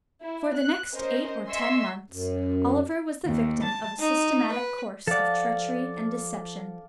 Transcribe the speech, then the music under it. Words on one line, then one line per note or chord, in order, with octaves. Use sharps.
For the next eight or ten months, Oliver was the victim of a systematic course of treachery and deception.
E4
F#6
C#4 A#4 C5 D#5
D#5 E5 G#5 C6 C#6 E6
F#2
D#2
A5
D#4
B4
F3 A4 D5 F5 F#5 A5